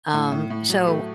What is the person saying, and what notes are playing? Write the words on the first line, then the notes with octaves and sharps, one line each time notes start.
Um, so,
A2
A2
A2
F#3
A3